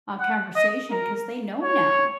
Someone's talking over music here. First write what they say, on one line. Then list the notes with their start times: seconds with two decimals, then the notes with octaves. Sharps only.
uh, conversation 'cause they know now.
0.20 F#5
0.56 D#5
0.91 A#4
1.63 C#5